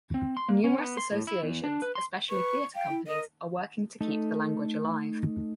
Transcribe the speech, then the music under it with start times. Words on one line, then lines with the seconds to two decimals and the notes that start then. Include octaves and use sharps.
Numerous associations, especially theatre companies, are working to keep the language alive.
0.14 C4
0.37 C6
0.49 A#3
0.64 C#4
0.78 B3
0.97 C6
1.12 A2
1.27 E4
1.42 E2
1.64 D4
1.82 B4
1.95 C6
2.30 B4 C#6
2.75 F5 G5
2.89 E4
3.07 A#4 D#5
4.01 A3 D#4 A4